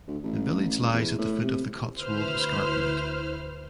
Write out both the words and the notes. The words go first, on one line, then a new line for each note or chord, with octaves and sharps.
The village lies at the foot of the Cotswold escarpment.
D2
A1
C#2
E2
A2
C3
D2 E4 B4 C5 F6